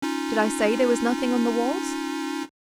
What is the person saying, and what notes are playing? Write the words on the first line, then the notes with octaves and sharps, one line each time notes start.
Did I say there was nothing on the walls?
C#4 D#4 F4